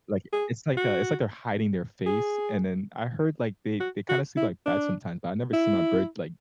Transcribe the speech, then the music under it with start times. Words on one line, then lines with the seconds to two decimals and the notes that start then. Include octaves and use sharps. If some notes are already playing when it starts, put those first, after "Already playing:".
Like it's like a it's like they're hiding their face, and then I heard, like, they they kinda sleep like bats, sometimes, but I never see my bird, like,
0.33 G#4
0.77 F#4
2.06 G#4
3.80 F#4
4.09 F#4
4.37 E4
4.66 D4
5.53 E4